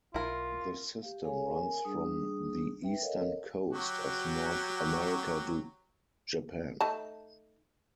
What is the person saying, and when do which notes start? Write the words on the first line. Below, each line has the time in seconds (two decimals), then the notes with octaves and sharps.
The system runs from the eastern coast of North America to Japan.
0.14 B1 E4 F4 A#4
1.02 G4 F5
1.24 G#4 A4 C#5 F5 G#5
1.56 A#4 G#5
1.85 G3 D4 G#4 D#6
2.82 B4 E5 G5
3.02 A4 A#4 C#5 D#5 F5
3.73 F#3 F#4 G4
6.80 A3 D#4 A5